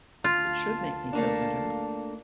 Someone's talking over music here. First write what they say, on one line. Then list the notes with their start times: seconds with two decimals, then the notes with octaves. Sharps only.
It should make me feel better.
0.24 D2 F4 F5 A5
1.13 A3 A#3 D4